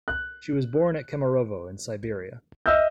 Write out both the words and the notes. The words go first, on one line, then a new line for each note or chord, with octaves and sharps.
She was born at Kemerovo, in Siberia.
F#6
D#5 E5 E6 F6 G6